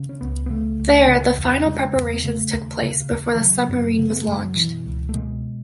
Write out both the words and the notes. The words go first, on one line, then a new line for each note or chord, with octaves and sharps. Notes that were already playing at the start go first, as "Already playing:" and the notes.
There the final preparations took place before the submarine was launched.
Already playing: C#3
C#4
C#2 B3
B3
C#3 A3
C#2
C#3
E2
C#3 G#3
E2
B3
C#3 A3
D#2
C#3
D#2
E3
C#3 F#3
F#2
C#3
B3
A3
F#2
G#3
F#3
B2 E3
C#2
A3
B2 G#3